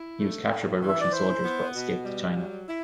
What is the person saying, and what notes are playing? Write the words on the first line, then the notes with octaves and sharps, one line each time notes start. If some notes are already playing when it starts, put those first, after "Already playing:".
He was captured by Russian soldiers, but escaped to China.
Already playing: E4
A3
A2
E3
E5
D5
E4 C5
B3
B2
G3
F#3
E4